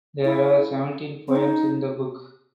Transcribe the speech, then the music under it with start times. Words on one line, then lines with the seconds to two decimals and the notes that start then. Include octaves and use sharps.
There are seventeen "poems" in the book.
0.25 E4
1.28 C4
1.36 D#4